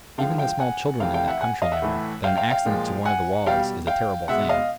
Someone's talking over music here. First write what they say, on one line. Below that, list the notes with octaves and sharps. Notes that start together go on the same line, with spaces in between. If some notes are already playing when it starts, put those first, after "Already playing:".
Even the small children in that country know that an accident to one of the walls is a terrible thing.
D3 F3 G#3 F5 G5
F5 G5
F#5 G#5
C3 E3 A3 F5 G5
F5 G5
E5 F#5
F#5 G#5
D#5 F5
E5 F#5
A2 E3 A3
F5 G5
F5 G5
F5 G5
A#2 F3 G#3
F#5 G#5
B2 G3 F5 G5
F5 G5
B2 G#3 E5 F#5
D#5 F5